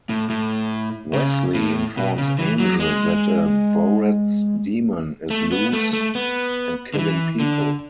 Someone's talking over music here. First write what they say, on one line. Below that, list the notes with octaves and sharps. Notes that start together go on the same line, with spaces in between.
Wesley informs Angel that a Boretz demon is loose and killing people.
A2
A2
C#3
A2
B2
C#3
E3
F#3
G#3
A3
B3
A3
A3
B3
D3
E3
D3